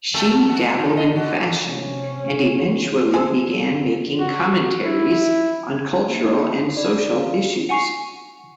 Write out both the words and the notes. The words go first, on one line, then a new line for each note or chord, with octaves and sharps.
She dabbled in fashion and eventually began making commentaries on cultural and social issues.
F2 A3 A4
C3
F#4 A4
A#2
D#2 D#5
D3 F#4
C3 C#4
G#4 A4 C5
F#4
E4
G#6
A#3
D#4
B5
D5
F5
F#5 G#5 C#6 C7 F7